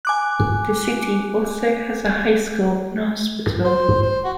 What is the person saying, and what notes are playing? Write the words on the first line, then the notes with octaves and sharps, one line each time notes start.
The city also has a high school and hospital.
G#5 D6 F#6
C5
C5
F#4